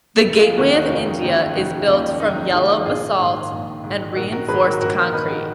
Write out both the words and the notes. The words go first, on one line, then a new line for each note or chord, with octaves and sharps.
The Gateway of India is built from yellow basalt and reinforced concrete.
F1
F4 G#4
D#2 D#3 G#3 C#4 F#4 A#4
D#4 F#4
F1 F4
F4
D#2 D#3 G#3 C#4 D#4
F4
F1 D#4 F#4
D#2 D#3 G#3 C#4 F4
F1 D#4
D#4
D#2 D#3 G#3 C#4 F4
A#1 F4 G#4
G#2 D#3
A#1
G#2 D#3
A#1 F#4 A#4
F#4 A#4
G#2 D#3 G#4 B4
F#4 A#4
A#1 F#4 A#4
G#2 D#3 B4 D#5